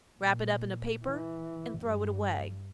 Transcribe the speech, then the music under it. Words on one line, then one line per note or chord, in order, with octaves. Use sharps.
Wrap it up in a paper, and throw it away.
A#2
E3
G2